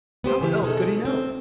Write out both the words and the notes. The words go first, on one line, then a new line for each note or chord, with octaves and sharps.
How else could he know?
B3 G4 C5
C#3 E3 G4
B2 D#4 G#4 A4
C4